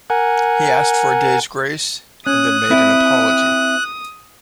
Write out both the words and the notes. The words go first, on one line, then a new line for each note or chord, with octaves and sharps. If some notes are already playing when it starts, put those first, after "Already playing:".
He asked for a day's grace, and then made an apology.
A#4 F#5 G#5
C#4 D#6 F#6
C4 E4